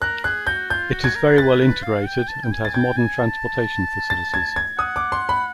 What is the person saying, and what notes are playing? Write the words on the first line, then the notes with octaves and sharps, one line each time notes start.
It is very well integrated and has modern transportation facilities.
A#4 F#6
G#4 F#6
F#4 G6
F4 G6
F#4
G#6
A#4
B4 A6
B4
F5
G5
A5
G5
G#5
A6
G5 G#6
G#5
A5
A6
G#6
G#6
F#5 D#6
D6
C6
B5